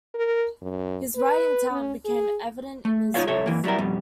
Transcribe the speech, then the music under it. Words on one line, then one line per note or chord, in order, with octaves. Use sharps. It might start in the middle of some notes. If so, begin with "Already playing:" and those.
His writing talent became evident in his youth.
A#4
F#2
B4
C#4
G#4
A3
D#4 F4 G4 A4 C#5 F5
C2 A4 C#5 E5
F#2 E3 A#3
F#3 G3 E4 A#4
F2 B2 G3